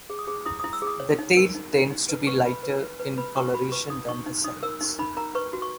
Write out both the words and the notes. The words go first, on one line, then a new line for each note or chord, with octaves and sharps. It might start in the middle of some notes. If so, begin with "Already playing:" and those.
The tail tends to be lighter in coloration than the sides.
G#4
D#6
G#4
E4 D#6
E4 D#6
E6
G#4
D#6
C#5
D#4
A#4
D#4
D#4
D#4
B4
B4 C#6
B4 B5
B4
B4
B4
B4 B5
F#4 C#6
F#4 B5
B4 C#6
D#4 D#6
D#4 C#6
D#4
D#4 D#6
A#4 E6
D#4
D#4 B5
A#4 A#5
B4 C#6
F#4
C#6